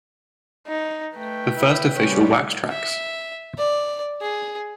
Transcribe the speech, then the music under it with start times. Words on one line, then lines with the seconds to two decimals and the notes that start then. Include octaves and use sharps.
The first official Wax Trax!
0.68 D#4
1.16 A3 B4 G5
1.57 E4
1.95 A#2 G3 C#4
2.70 E5
3.58 D5
4.21 G#4